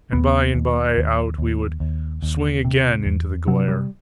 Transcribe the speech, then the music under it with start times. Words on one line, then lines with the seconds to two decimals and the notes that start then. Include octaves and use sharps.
And by and by out we would swing again into the glare.
0.13 D#2 B3
0.55 D#2
0.97 D#2
1.38 D#2
1.80 D#2
2.23 D#2
2.65 C3
3.06 E2
3.47 C3 F#3
3.68 G3